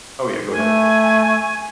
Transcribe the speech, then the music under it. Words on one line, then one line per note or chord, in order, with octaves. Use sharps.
oh, yeah, go ahead.
A3 G#5